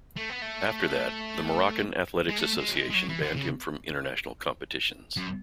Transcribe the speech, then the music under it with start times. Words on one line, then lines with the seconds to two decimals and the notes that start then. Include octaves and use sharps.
After that, the Moroccan Athletics Association banned him from international competitions.
0.17 A3
0.30 B3
0.42 A3
2.29 G#3
2.39 A3
2.58 G#3
2.69 F#3
2.75 G#3
2.90 G#3
2.95 F#3
3.09 E3
3.22 D3
3.36 C#3
5.17 F#2